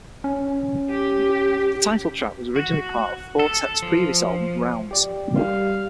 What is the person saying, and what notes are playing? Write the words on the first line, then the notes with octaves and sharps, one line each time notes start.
The title track was originally part of Four Tet's previous album, "Rounds".
C#4
G4
F#4
A4
F3
G4 D5
G3 A#4 D5 F5 C6